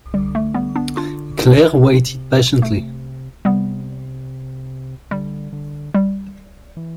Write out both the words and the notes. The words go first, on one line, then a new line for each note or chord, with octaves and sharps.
Claire waited patiently.
D3 G3
A3
G3 B3
B3 D4
D4 F4
C3
A3
C3 G3 B3
D3 G3
D3
G3
E3